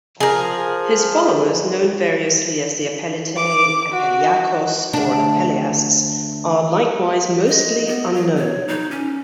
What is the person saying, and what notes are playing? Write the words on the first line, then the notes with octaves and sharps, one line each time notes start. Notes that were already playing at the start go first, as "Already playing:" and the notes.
His followers, known variously as the Apellitae, Apelliacos or Apelleasts, are likewise mostly unknown.
F3 G#4 A#4
D6
F#4
D2 D4
D#5
B3
F#3
C#5
D#4
C#4